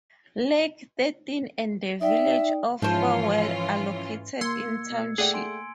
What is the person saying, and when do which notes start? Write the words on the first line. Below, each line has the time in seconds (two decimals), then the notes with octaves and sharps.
Lake Thirteen and the village of Farwell are located in the township.
2.01 D#4 D5 E5 G5
2.82 G#2 E3 F3 C#4 F4 C5
4.41 A#3 C6 E6 G#6 C#7
4.90 B2
5.18 A3 G#4 D5 F#5 G5
5.33 G#5 C6 D7